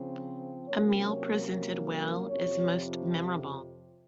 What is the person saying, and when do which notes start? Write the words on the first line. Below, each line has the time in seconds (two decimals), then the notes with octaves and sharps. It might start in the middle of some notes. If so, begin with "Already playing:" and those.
A meal presented well is most memorable.
Already playing: C#3 F3 C4
0.68 C3 F#3 A#3 C#4 C#5
1.08 C#5
2.29 F2 C3 F3 C#5